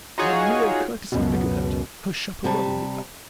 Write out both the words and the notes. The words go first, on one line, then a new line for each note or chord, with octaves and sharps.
I am a mere courtesy-figurehead--her chaperon, in fact.
D#4 F4 F#4 G#4 C#5
C#2 F#2 B2
C3 G3 G#5 A5